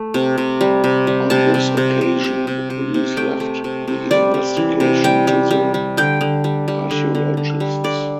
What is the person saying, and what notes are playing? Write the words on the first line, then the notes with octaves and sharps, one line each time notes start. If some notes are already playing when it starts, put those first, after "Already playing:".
On this occasion, the police left the investigation to the archaeologists.
Already playing: A3
C3
C3
G3
C3
G3
C3 A5
C3
C3
C3
C3
C3
C3
C3
A3 G5
A3
C3
C3
G3 D5
G3
E3
C3
G3 G5
G3
G3
G3
D3 G5
D3
G3
G3
D3
D3
D3
G3
D3 D5